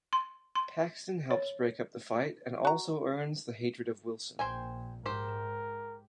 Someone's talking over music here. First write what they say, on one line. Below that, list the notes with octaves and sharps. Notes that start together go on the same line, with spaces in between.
Paxton helps break up the fight and also earns the hatred of Wilson.
C6
C6
C#5
F#4 A#5
A#1 A#2 C5 G5 G#5
G#2 G4 A#4 C5